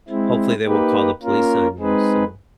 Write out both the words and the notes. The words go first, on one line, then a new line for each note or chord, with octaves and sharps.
hopefully they won't call the police on you, so
G#3 C4 E4
A#3 D#4 G4 B4
A#3 C#4 F4 A#4
G#3 C4 D#4 G#4 B4